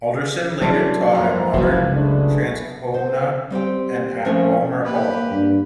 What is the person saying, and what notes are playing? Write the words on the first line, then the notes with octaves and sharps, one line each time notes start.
Halldorson later taught at Morden, Transcona and at Balmoral Hall.
C2 E3 F#3 G#3 C#4 D4 A5
F1 F3 A#3 A#5
F#1 C#2 E4 F#4 B4
G#3 A3 D4
D2 C5
G3 C4 G4 G5
F3 A3 A#3 C4 C#4
A#3 G4 B4
G2